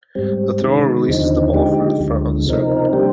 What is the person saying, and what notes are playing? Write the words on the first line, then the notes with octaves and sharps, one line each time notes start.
The thrower releases the ball from the front of the circle.
G#2 G3 C4
C3 D#3 G#3
D#2 D3 F3 C4 D#4
D3 F3 G#3 D#4 G4
D2 D3 F3 G#3
C3 F3 C4 D#4 A#4
G3 A#3 D4 G4 C5